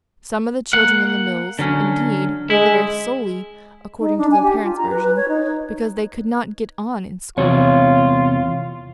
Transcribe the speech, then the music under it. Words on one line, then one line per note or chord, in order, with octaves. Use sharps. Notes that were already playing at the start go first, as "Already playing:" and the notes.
Some of the children in the mills, indeed, were there solely--according to the parents' version--because they could not "get on" in school.
A#3 F#5
D3 F#3 C#4
G#3 E4
D#4
D4
G#5
G4
F4
A#5
B4
B4
C#5
D#4
E2 C3 F4 C#5